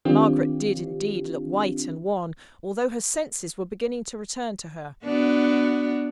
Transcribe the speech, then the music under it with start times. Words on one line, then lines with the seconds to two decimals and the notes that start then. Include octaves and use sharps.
Margaret did indeed look white and wan, although her senses were beginning to return to her.
0.05 D#3 C4 D4 F4 G4
5.05 B3 D4 F#4